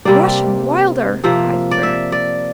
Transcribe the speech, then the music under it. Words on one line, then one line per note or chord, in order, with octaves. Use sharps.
"Rush & Wilder!" cried Frank.
C3 G3 A#3 D5
C3 F3 A#3 E5
D5
E5
D5